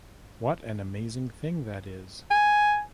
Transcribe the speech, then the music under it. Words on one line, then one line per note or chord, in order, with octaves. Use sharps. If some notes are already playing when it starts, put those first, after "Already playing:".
What an amazing thing that is!
G#5